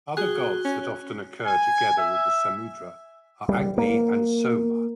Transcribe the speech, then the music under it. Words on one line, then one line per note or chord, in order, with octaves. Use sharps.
Other gods that often occur together with the Samudra are Agni and Soma.
F#4 G#4 F#6 G7
C#4
G#5
E5
G3
A#3